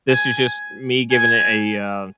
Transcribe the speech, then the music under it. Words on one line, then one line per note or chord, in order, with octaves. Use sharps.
this is just me giving it a uh,
G#5
G#5